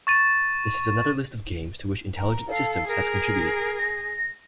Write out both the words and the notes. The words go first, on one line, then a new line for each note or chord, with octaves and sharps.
This is another list of games to which Intelligent Systems has contributed.
C#6 A6 D#7
A#4
A4 F5
G#4 A#4
A#6